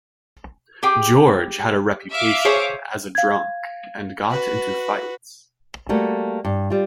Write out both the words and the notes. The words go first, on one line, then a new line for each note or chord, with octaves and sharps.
George had a reputation as a drunk and got into fights.
G4 G#4 G5
E5 F5 D6
G#4 C5 C#5
F5 G#6
F#4 B4
G3 A3 A#3 F#4
G2
G3 F4